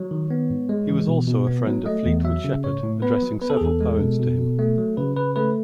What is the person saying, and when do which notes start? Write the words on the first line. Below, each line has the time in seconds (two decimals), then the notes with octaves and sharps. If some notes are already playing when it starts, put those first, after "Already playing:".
He was also a friend of Fleetwood Shepheard, addressing several poems to him.
Already playing: F#3 C#5
0.11 D#3
0.30 B3
0.50 G#2
0.69 G#3
0.89 E3
1.08 B2
1.27 B2
1.47 B3
1.67 F#3
1.86 A3 D#5
2.06 E2
2.25 F#3 E5
2.44 C#3
2.64 A2 C#5
2.83 A2
3.02 B3 B4
3.22 F#3
3.42 B3 B4
3.50 A4
3.57 G#4
3.61 E2 A4
3.81 G#3
4.00 B2
4.19 B2
4.39 B2
4.59 A3
4.78 F#3
4.97 C#3 B4
5.16 C#3 B4
5.36 A3 B4